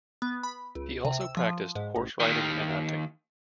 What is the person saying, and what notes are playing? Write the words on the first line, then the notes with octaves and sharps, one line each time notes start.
He also practiced horse-riding and hunting.
B3
B5
C#2
C3
E6
F3
G#2
A1
D#2 D#3